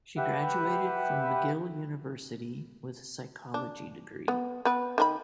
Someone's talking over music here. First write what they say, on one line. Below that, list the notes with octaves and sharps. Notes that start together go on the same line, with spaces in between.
She graduated from McGill University with a Psychology degree.
G4 B4 E5 F#5
D4
B3
B3 B4
D#3 D4 B5